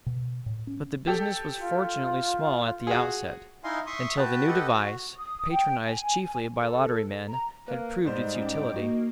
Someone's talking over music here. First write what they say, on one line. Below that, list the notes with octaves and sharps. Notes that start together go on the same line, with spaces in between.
But the business was fortunately small at the outset, until the new device, patronized chiefly by lottery-men, had proved its utility.
B2
A2
C#4
G4 A4
F4
F#4 G#4
D#4 E4 D#5 F5 G#5 C6
E5 C6 C#6 D#6
F#4 B4 G5 A5
G4 A4 B4 D#5 F#5
F#4
D#6
G5
G#5
A4
A#5
A#3 B4
G#2 G3 D#4 C5
C#4 G5 D6
A#3 F#4